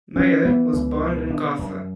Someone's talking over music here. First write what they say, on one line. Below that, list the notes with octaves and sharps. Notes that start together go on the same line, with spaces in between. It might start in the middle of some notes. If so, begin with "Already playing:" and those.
Meyer was born in Gotha.
E3 C#4
E3 B3
C#2
B2
D4
F#2